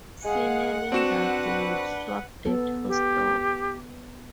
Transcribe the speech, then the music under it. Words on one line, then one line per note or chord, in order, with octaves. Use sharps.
Senior lenders would swap debt for stock.
G#3 G#4 F5 F#5
C4 D4 F#4 B4 E7
B3 A4
G4